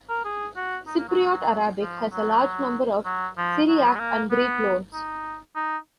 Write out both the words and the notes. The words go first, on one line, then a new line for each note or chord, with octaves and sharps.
Cypriot Arabic has a large number of Syriac and Greek loans.
A#4
G#4
F#4
D#4
A#3
F#3
F3
F#3
F#3
F3
F#3
F3
F#3
G#3
A#3
B3
D#4
D#4